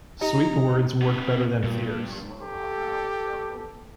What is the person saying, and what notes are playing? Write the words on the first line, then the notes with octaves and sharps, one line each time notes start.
Sweet words work better than fierce.
D#4 G4 D#5 A#5
C3 B4
G2 A#2
G4 A4